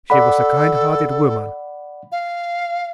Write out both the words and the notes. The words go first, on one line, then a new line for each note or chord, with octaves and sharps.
She was a kind-hearted woman.
A4 D5 F#5 B5
F5